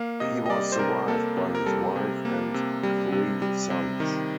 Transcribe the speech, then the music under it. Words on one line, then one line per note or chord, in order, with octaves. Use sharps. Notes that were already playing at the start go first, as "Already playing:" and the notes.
He was survived by his wife and three sons.
Already playing: A#3 F5
C3 D#5
D#5
G3 D5
C5
C3 A#4
A#3 A4
C3
A#4
G3 A4
C3
A#3
C3
G3
C3
G3
C3
D#3